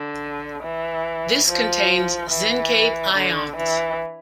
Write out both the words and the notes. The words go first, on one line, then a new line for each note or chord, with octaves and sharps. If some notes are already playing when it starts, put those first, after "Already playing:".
This contains zincate ions.
Already playing: D3
E3
F3
E3
D3
E3